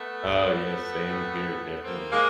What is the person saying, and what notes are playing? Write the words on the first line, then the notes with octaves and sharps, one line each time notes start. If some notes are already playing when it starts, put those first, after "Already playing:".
Oh, yeah, same here, definitely.
Already playing: A3 B3
A2 E3
A#3 C4
G#3 A#3